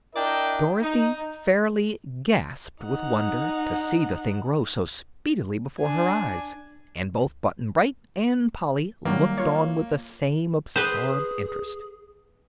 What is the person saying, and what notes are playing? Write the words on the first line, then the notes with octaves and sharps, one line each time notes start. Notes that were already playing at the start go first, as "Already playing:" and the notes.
Dorothy fairly gasped with wonder to see the thing grow so speedily before her eyes, and both Button-Bright and Polly looked on with the same absorbed interest.
D4 E4 A#4 D5 D#5 G5
D#4
D#4 F#5
D4 G#5
D#3 F#3 G3 A#3
F4 C#5
G#4 B4 C5